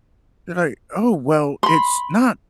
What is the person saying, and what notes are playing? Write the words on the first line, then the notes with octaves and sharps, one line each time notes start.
They're like, "Oh, well, it's not
B5 C6